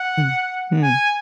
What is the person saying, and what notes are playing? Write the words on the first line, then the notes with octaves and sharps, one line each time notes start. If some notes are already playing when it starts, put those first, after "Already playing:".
Mm. Hmm.
Already playing: F#5
G#5